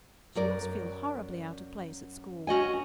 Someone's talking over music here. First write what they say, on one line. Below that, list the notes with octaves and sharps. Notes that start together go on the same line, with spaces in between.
She must feel horribly out of place at school.
F#2 A#4 D5
C#4 F#4 D#5 G#5